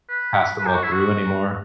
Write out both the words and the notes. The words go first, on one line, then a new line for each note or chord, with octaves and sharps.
pass them all through anymore.
B4
B4
G4
F#4
E4
F#4